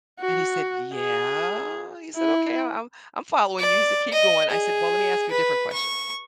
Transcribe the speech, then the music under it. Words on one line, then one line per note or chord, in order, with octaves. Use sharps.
And he said, "Yeah," he said, "Okay, I'm I'm I'm following you." He said, "Keep going." I said, "Well, let me ask you a different question."
F#4
G#4
E4
D5
D#5
G#4
B4
C#6